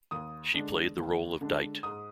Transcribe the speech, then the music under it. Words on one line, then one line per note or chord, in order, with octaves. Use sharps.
She played the role of Dite.
D#2 D#6
D3 G#3 D4
D#2
D3 G#3 D4
G#2 D#6